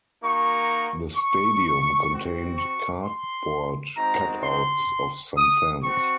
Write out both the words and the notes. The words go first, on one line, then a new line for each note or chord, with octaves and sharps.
The stadium contained cardboard cut outs of some fans.
A#3 D#4 F#4 C#6
C#6
C4 F#4
C#6
C6
G#3 C4 D#4 F#4 A#5
C6
D#6
C4 F#4 C#6